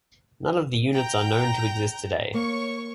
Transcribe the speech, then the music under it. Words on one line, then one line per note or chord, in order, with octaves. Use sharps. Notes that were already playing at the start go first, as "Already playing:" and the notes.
None of the units are known to exist today.
G5 A#5 G6
A#3 C#5 C#6